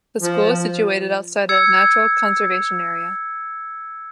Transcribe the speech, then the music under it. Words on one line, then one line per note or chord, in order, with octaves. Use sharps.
The school is situated outside a natural conservation area.
F3
E6 G#6 C#7